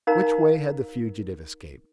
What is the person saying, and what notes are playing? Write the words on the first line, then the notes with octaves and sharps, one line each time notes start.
Which way had the fugitive escaped?
D#4 A#4 F5 A#5